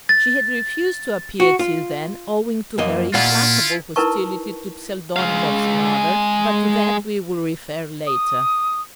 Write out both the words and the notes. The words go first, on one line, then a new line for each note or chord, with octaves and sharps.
She had refused to appear till then owing to her implacable hostility to Pseldonimov's mother, but to that we will refer later.
A6
F#4
F4
F#2 A#3 D#5
A#2 A#3 E4 F4 F#5
D#4 E4 A#4 B4 A5 C#6
G#3 F5
D#6